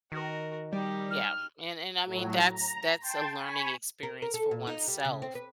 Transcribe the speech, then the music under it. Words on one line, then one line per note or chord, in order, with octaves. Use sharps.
Yeah, and and I mean, that's that's a learning experience for oneself,
D#3 F#4 A#4
G3 D#4 G4
F6
A2 F#3
A#5
G5 A5 C6
G#5 B5 C#6
A#4
A#4
A4
A#2
D#4
G3
C#3
C4
B4